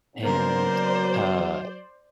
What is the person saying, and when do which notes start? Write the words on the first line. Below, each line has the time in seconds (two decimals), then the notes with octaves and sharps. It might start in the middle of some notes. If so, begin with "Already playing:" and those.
and, uh
0.23 C#3 F#3 A#3 B3 A#4 C5 D5